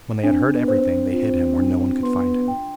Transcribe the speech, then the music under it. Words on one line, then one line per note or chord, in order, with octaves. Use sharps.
When they had heard everything, they hid him where no one could find him.
C4 D4
B3
C5
C4
F4
D4
B3 C6
G5